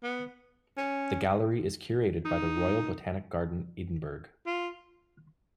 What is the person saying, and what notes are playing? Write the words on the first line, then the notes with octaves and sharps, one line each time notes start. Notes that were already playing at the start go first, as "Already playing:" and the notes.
The gallery is curated by the Royal Botanic Garden Edinburgh.
B3
C#4
D#4
F4